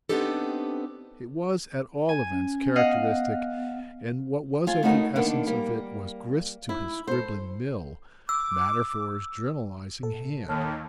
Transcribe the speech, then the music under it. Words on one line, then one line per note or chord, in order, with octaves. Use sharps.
It was at all events characteristic, and what was of the essence of it was grist to his scribbling mill, matter for his journalising hand.
B3 C4 D4 D#4 G4 A4
G#5
C#4
B3 D#5 F5 F#5
F4 G#5
A3 B3 C#4 D#4 F#4 A#4
D3 D#3 A#3 B3 D4
G3 A#3
E4
A4 C5
D6 E6
A#2 A4
D#2 C#5 A5 F6